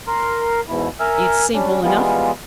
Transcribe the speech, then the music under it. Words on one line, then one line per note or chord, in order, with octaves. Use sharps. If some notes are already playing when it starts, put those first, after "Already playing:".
It's simple enough.
A#4 C6
E2 G#2 B2 E4
A#4 E5 G#5 E6 F6
G3 C#4 D4
E3 F3 G3 G#3 B3 F4